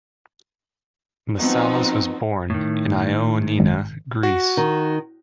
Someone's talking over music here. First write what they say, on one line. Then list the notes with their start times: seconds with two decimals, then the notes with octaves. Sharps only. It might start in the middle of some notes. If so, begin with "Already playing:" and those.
Massalas was born in Ioannina, Greece.
1.39 F3 B3 C4 D#4 F#4
2.50 A2 D#3
3.59 G#1
4.23 F#4
4.57 D#3